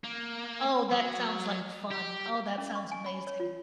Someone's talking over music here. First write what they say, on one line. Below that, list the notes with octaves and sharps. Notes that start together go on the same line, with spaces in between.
Oh, that sounds like fun. Oh, that sounds amazing.
A#3
F#3
G4
C#4
C#6
G#5
B5
C#5
F4